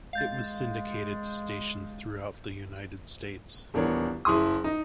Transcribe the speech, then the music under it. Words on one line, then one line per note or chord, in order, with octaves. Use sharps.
It was syndicated to stations throughout the United States.
G#3 F5 G6 A6
D#1 E3 B3 D4 A#4 C#5
F#1 E4 C6 D#6
D#4